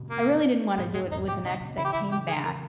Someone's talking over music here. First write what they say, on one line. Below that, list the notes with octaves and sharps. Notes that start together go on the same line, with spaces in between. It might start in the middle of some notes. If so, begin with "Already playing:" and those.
I really didn't wanna do it, it was an ex that came back
Already playing: A#2 C#3
A#3
G#2 B2 G#3
G2 A#2 G#3
E2 G#2 D#4
G#2 B2 G4
A#2 C#3 D#4
A#2 C#3
C#3 E3 E4
G4
C#3 E3 E4
G4
G#4
A#4